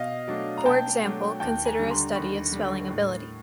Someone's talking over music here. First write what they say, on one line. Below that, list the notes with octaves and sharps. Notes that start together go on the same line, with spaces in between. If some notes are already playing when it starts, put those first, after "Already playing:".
For example, consider a study of spelling ability.
Already playing: B2 D#5 F5
F#3 A3 D4 F#4
A#5
B2 G5 A5
F#3 A3 D4 F#4
D#2 G5 A5
G#5 A#5
D3 G3
A#5 C6
D#2 B5 C#6
D3 G3
A2